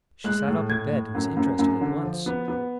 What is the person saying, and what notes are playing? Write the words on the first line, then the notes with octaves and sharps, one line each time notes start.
She sat up in bed, and was interested at once.
G#3 F#6
A2
A2 G#6
A2
F#2
F#2
F#2
D3
F3
B3
B3